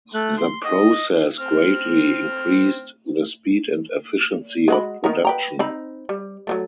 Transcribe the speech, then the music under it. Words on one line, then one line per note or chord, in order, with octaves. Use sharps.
The process greatly increased the speed and efficiency of production.
A3 F#6
C6
D#5
C4 F6
G#3 F#4 B5
D#3 B3 A#4
B4 G5 A#5
C4 D#4 B5
G3
F#3 G3 A3